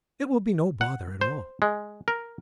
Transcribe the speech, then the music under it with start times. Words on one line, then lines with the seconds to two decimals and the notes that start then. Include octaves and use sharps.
"It will be no bother at all."
0.81 F#5
1.21 C5
1.62 G#3
2.08 A#4